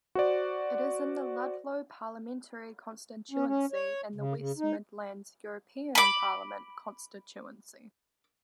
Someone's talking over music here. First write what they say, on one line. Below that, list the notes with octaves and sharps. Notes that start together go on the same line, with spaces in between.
It is in the Ludlow parliamentary constituency and the West Midlands European parliament constituency.
F#4 C5 D5
C#4
C#4
C#5
C#3
C#3
D#4
B5 D6